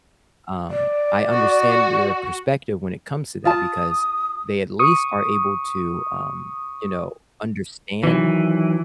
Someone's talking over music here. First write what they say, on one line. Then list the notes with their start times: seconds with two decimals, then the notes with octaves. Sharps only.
um, I understand their perspective when it comes to that because they at least are able to, um, you know, understand
0.70 D5
1.31 F#4
3.45 F4 A5 D#6
4.79 C#6 D#6
8.03 D#3 E3 F#3